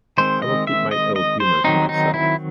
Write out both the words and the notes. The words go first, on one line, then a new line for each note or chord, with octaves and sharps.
I will keep my ill-humour to myself.
D#3 G#3 C4 C5
D#5
E5
D#5
D#5
C5
D#3 F#3 C4 D#4
D#4
E4